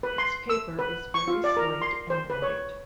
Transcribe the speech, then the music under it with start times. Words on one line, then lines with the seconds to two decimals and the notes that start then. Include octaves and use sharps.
Its paper is very slight and white.
0.03 B4
0.18 C6
0.50 E6
0.79 B4
1.14 C#6
1.28 F4
1.44 D5
1.57 A#4
1.82 C6
2.10 C5
2.30 B4
2.42 C#5